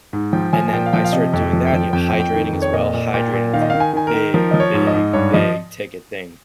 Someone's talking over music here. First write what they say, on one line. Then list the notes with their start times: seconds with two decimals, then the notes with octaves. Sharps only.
And then I started doing that, you know, hydrating as well. Hydrating was a big, big, big ticket thing,
0.13 G#2
0.33 F3 G5
0.53 F3 G#5
0.68 G#5
0.73 A#2 G5
0.86 F5
0.93 F3 G5
1.04 F5
1.13 C3 D#5
1.33 F2
1.53 F3
1.67 G5
1.73 F3
1.93 F2 G5
2.13 F2
2.20 G5
2.33 D#3
2.53 F2
2.62 C#5
2.73 A#2 D#5
2.93 A#2
3.13 A#2 G5
3.33 A#2
3.53 D#3 F5
3.61 D#5
3.70 D#3 F5
3.80 G#5
3.93 D#3 G#5
4.07 A#4
4.14 D#3
4.33 F3 A#4
4.51 F3 D#5
4.60 C#5
4.74 G#2
4.87 D#5
4.94 G#2
5.13 G2 C#5
5.34 F3 D#5